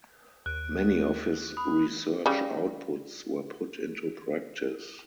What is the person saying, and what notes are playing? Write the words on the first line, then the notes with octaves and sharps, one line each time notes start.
Many of his research outputs were put into practice.
D#2 F#6 D7
B5 D#6
C#3 G3